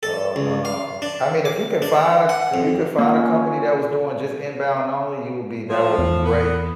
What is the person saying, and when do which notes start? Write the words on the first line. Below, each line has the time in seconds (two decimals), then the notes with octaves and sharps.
Oh, no, I mean if you can find a if you could find a company that was doing just inbound only, you would be that would be great,
0.03 A4
0.36 C#2
0.65 F5
1.02 D4
1.45 D6
1.82 D4
2.29 F#5
2.54 F2
2.99 A#3 C#4 F4
5.70 F3
5.98 E2
6.25 B3